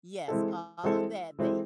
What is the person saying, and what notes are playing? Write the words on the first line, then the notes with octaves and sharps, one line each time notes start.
yes, all of that, they
E3 G#3 C4 E4 A4
E3 G#3 C4 E4 A4
E3 G#3 C4 E4 A4